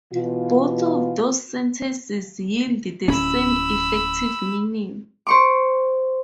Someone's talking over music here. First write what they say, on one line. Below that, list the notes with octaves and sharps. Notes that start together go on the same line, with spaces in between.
Both of these sentences yield the same effective meaning.
B2 E3 F4
D1 C#4 B5 E6
C5 C#6 D6